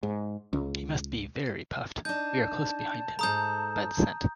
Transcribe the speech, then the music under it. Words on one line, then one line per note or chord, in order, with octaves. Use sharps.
He must be very puffed; we are close behind him, by the scent.
G#2
C#2
D4 D#4 A5 G6
G#2 A4 A#5 D#6 G6